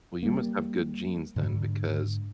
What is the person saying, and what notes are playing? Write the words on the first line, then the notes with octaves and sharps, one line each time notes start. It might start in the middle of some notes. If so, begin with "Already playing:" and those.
Well, you must have good genes then because
G3 A#3
G#2 D3